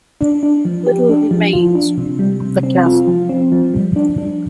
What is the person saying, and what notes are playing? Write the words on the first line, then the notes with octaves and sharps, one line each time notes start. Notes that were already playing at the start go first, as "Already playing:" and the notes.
Little remains of the castle.
D4
D4
F3
G4
D4
F3
F4
D4
C3
G3
C3
C4
F4
F3
C4
F3
G3
D4
D4